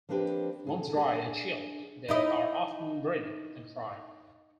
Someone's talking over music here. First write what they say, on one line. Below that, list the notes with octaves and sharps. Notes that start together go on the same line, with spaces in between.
Once dried and chilled, they are often breaded and fried.
F3 A#3 C4 D4 G4 B4
G#4 A4 G#5
D4 G#4
D#4 E4 D#5